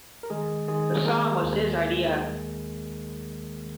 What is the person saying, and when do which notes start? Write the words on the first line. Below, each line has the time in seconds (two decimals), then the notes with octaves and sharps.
The song was his idea.
0.23 A#4
0.30 D#3 G#3 G#4
0.68 D#3 G#3 G#4
1.05 D#3 A#3 A#4
1.43 D#2